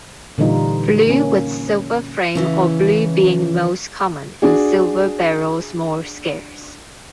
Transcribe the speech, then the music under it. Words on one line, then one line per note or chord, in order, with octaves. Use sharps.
Blue with silver frame or blue being most common and silver barrels more scarce.
A#2 D3 E3 G3 D#4 F4
A#3 C#4
C#3 E3 C#4
D4 F#4 G#4